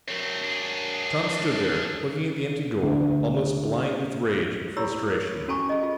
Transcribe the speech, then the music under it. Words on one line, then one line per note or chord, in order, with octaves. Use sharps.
Tom stood there, looking at the empty door, almost blind with rage and frustration.
A3 C4 A#4 C#5
D4 G#4
D2
E4 G4 C#5 B5 E6
A#4
C#4 F#4 A4 G#5 A#5 C#6
G#4 D#5
F4 G#4